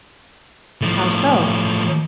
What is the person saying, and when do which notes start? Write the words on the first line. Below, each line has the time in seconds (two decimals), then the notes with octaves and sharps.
"How so?"
0.81 A2 F3